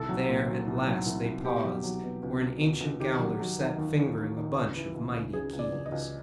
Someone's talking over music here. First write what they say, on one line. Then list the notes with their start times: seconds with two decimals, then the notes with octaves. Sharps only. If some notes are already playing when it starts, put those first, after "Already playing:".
There at last they paused, where an ancient gaoler sat fingering a bunch of mighty keys.
Already playing: C2 A4
0.09 F#3
0.29 A#2
0.48 F#3
0.67 C2
0.87 F#3
1.06 C2
1.25 C2
1.45 B2 G4
1.64 F#3
1.84 F#3
2.03 B2
2.23 C#2
2.42 C#2
2.61 C#2
2.81 C#2
3.00 D#3 G4
3.19 F#3
3.40 F#3
3.58 D#3
3.78 D#2
3.97 D#2
4.17 D#2
4.36 D#3
4.56 C#2
4.75 E3
4.94 C#2
5.13 C#2
5.33 C#3 G#4
5.53 C#2
5.59 D5
5.72 C#2
5.86 D#5
5.92 C#2